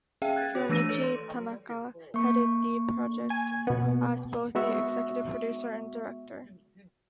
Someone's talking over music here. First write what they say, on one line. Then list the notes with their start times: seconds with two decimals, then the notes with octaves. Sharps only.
Hiromichi Tanaka headed the project as both the executive producer and director.
0.22 C#4 G#4 E5 F5 G5
0.36 F#6 G#6 A6
0.55 F#4 C#5
0.69 E3 A3 D4 E6 A#6 D#7
0.89 A4 B4 C#5
1.04 C6
2.14 A#3 C#6
3.29 G#5 G#6
3.67 B2 B3
4.55 G#3 B3 F#4 E5 C#6 E6